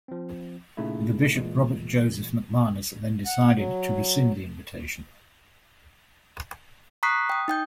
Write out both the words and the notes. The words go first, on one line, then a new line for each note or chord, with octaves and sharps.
The Bishop Robert Joseph McManus then decided to rescind the invitation.
F3 C4
A#2 C#3 A3 D#4 E4
A#2 E3 G#3
F#5
F#3
A#5 C#6 D#6 F#6 B6 C7
G5 D#6
D#4 G5 G6